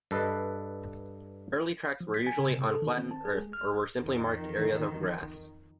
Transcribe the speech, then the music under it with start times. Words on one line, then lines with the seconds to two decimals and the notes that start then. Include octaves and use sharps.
Early tracks were usually on flattened earth or were simply marked areas of grass.
0.11 G2 A4 B4 D#5
2.00 F3
2.14 B6
2.27 G#5
2.39 C#3
2.51 C3
2.66 A4
2.82 D#3
2.97 C4
3.11 A5
3.25 G#4
3.38 G#3
3.53 F6
3.98 F2 D#3